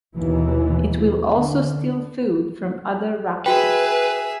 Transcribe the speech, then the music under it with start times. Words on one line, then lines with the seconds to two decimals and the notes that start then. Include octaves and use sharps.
It will also steal food from other raptors.
0.15 D#2 B2 E3
1.33 D3
3.46 F#4 G#4 B4 E5 G5